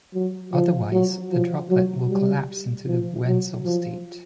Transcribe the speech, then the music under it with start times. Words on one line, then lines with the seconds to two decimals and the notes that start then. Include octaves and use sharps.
Otherwise, the droplet will collapse into the wenzel state.
0.14 F#3
0.53 F3
0.92 F#3
1.32 F3
1.70 F#3
2.09 G3
2.87 F3
3.27 F#3
3.65 F3